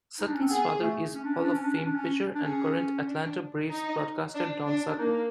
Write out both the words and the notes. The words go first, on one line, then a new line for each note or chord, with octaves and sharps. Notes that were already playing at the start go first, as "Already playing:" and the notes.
Sutton's father is Hall of Fame pitcher and current Atlanta Braves broadcaster Don Sutton.
D#4
D4
C#4
C4
B3 G#4
A3
C#4
D4
C#4
D4
C#4
D4
C#4
D4
C#4
D4
C#4 G#4
D4
D#4
D4
D4
D4
A#3 D#4